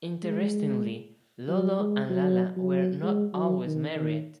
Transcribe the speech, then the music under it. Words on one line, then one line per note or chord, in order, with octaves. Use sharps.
Interestingly, Lolo and Lala were not always married.
G#3
F#3
G#3
F#3
F#3
G#3
F#3
D#3
D#3